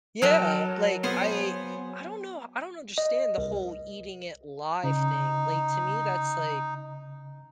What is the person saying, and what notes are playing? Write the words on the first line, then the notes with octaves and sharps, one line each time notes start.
Yeah, like, I I don't know, I don't understand the whole eating it live thing, like, to me, that's like
F#3 A4 A#4 D#5
B3 F4 G#4 C5
D#5
C2
C#3 D#4